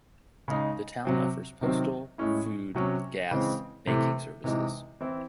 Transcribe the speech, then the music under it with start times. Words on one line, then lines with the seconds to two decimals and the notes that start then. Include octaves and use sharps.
The town offers postal, food, gas, banking services.
0.48 C#3 G#3 D#4
1.05 C3 F#3 C4
1.61 C3 D#3 F#3 C4
2.18 A2 G#3 C#4 E4
2.74 C3 F#3 C#4
3.31 C#3 E3 G#3 C4
3.87 C3 E3 A3
4.44 C3 E3 G#3 D#4
5.01 E3 C4 E4